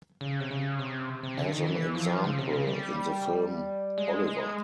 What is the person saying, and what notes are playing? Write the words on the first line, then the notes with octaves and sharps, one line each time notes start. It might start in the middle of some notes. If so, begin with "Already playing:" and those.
As an example, in the film Oliver!
C#3
C3
C#3
C3
C3
D3
D#3
E3
F3
C#3
C3
C#3
G3
G#3
G#3